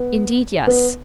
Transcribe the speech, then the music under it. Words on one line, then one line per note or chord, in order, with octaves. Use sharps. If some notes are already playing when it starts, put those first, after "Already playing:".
'Indeed, yes.
Already playing: B3
B3